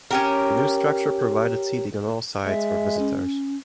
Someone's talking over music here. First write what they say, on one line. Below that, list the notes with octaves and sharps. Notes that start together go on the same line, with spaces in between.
The new structure provided seating on all sides for visitors.
C#4 G4 A#4
G#3 E5
C#4